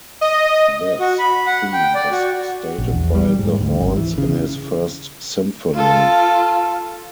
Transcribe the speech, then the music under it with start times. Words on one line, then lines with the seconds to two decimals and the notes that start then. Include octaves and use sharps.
This theme is stated by the horns in his first symphony.
0.21 D#5
1.00 F#4
1.19 B5
1.47 F#5
1.73 G5
1.95 D5
2.11 F#4
2.78 A#1
2.92 E2
3.15 G3
3.39 G#2
3.61 D2
3.80 G#1
3.97 E3
4.18 C#3
5.75 F4 A4